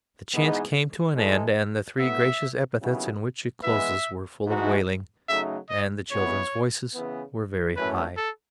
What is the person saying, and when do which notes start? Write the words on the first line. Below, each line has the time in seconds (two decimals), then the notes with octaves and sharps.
The chant came to an end, and the three gracious epithets in which it closes were full of wailing, and the children's voices were very high.
0.33 G#2 E3 B3 D#4 G#4
1.16 E3 G#3 D#4 A4
1.98 A2 F#3 B3 E5
2.81 D#2 C#3 F#3 B3 E4
3.63 E3 G#3 B3 E4 B4 E5
4.46 G#2 E3 A3 D#4 F#4
5.28 C#3 F#3 A3 D#4 E5
5.69 D#5
6.11 E2 C#3 G#3 B3 E4 C#5
6.94 C#3 E3 B3
7.76 F#2 E3 A3 C#4 B4
8.17 A4